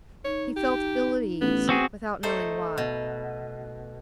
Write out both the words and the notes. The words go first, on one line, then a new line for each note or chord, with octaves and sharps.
He felt ill at ease, without knowing why.
D#4 C#5
G4
A1 B3
C4 F#4 G#4
A3 D#4 A4 C5
B2